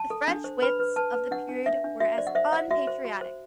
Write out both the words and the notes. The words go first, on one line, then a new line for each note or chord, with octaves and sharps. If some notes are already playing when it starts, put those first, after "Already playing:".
The French wits of the period were as unpatriotic.
Already playing: A5
A4
D4
C5
B4 B5
B4
B4 A5
B4
D4 F#5
D4
D4 E5
D4
F#4 E5
C5 D5
F#5
C5 E5
C5 F#5
F#4 E5
C5
F#4
C5